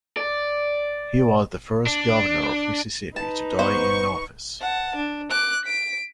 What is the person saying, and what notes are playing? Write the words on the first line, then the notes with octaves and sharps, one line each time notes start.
He was the first Governor of Mississippi to die in office.
D5
D4
D#4 B4 A5
B3 C5 F5 C#6
F#5 A5
D4
D6 F#6
B6 D7